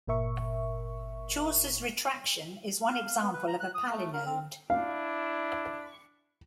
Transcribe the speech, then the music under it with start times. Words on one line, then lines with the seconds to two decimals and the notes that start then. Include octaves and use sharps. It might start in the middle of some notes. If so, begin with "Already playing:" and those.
Chaucer's Retraction is one example of a palinode.
0.07 G1 A#2 A#4 E5 C#6
2.90 F5
3.22 B3
3.33 B4
3.47 A#5
3.60 F#6
3.75 D#6
3.90 A3
4.13 A#4
4.26 C4
4.70 D4 E4 F5